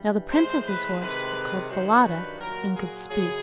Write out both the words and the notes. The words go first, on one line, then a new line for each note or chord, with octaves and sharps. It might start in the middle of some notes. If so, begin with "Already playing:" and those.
Now the princess's horse was called Falada, and could speak.
Already playing: G2 E3 G3
A2 E3 G#3 C5
B4
C3 D#3 G#3 B4
G2 D#3 F#3 C5
B4
A#2 F#3 A#4
G#4
F#2 C#3 F#3 G#4